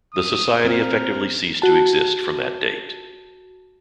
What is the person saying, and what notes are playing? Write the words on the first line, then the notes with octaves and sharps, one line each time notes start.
The society effectively ceased to exist from that date.
D#6
C4 A#4
F#4 A5